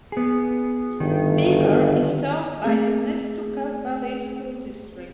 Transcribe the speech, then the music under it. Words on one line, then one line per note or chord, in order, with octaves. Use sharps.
Beaver is served by the Nestucca Valley School District.
B3 G#4
G1 D#3
A3 C4 G#4